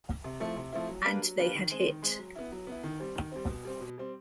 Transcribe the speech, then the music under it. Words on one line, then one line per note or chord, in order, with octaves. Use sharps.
And they had hit.
C3
F3 A3 C4 E4
C3
F3 A3 C4 E4
F#3
A#3 D4 G4 B4
F#3
A#3 D4 G4 B4
D#3
G#3 C4
D#3
G#3 C4
F#3
B3 E4
F#3
B3 E4
D#3
G3 C4
D#3
G3 C4
B2
G3 C4
B2
G3 C4